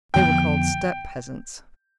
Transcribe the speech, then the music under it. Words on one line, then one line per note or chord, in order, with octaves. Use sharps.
They were called steppe peasants.
F2 D3 F3 B3 G5